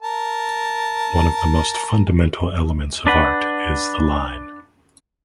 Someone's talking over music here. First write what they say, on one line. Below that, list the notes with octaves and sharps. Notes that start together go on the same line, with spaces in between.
One of the most fundamental elements of art is the line.
A#4 A5
D4 B4 F#5